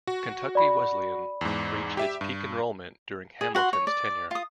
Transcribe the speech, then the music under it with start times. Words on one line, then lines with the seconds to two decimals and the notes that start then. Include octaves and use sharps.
Kentucky Wesleyan reached its peak enrollment during Hamilton's tenure.
0.07 F#4
0.55 D5 B5
1.41 E2 G#2
1.97 G4 E5
2.21 G2
3.41 G#4
3.55 F#4 F#5 B5 C6
3.73 C#5
3.87 D5
4.31 F4 D#6